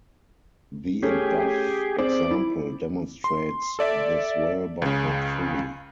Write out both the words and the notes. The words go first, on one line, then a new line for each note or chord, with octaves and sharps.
The above example demonstrates this well, but not fully.
A3 C#4 G4 G#4
C4 G#4 C5 D5
E4
C6
A4 D5 E5
C#2 C#3